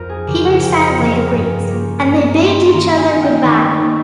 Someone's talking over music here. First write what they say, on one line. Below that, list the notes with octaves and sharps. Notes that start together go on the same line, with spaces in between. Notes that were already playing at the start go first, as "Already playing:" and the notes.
Peter sadly agrees, and they bid each other goodbye.
Already playing: F2 A#4
G#4
C#3 F3 G4
G#4
F2 G5
F5
C#3 F3 C#5
A#4
G2 G#4
A#4
G3 A#3 C#4 F4
G2 A#5
G3 A#3 C#4 F4 C6
C6
D#3 A#5
G#5
A#3 D#4
G5
D#3 C#6
C#6
A#3 D#4